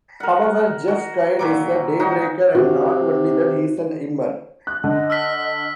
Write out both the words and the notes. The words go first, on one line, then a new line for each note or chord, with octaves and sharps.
However, Jeff Caird is a daybreaker, and not only that, he's an immer.
A#4 F#5
F#4
A#2 F#3 D6
D#4 F#4
C3 F#4
F#6
D3 D#5
E6 F6 B6